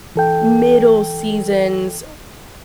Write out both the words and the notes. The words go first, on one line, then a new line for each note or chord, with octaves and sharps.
middle seasons
E3 A4 G5